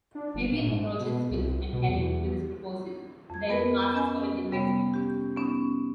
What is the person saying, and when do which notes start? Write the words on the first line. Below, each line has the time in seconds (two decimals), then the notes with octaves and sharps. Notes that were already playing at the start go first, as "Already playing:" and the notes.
Fabian approaches Phil and Helen with his proposal, then asks for an investment.
0.15 D4
0.34 G1
0.52 A#2
0.66 G#2
1.00 B2
1.31 C2
1.73 B2
1.88 E2
3.30 F2 G#6
3.49 B3 A#4 B4
3.94 C#4 D#5 G#5 B5
4.51 C3 G3 B3
4.94 C#4 G4
5.37 B3 C#4 D#4